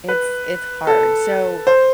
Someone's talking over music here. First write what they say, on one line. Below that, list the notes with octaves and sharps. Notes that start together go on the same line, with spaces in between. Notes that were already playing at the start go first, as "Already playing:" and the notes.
It's it's hard. So
B4
A4
C5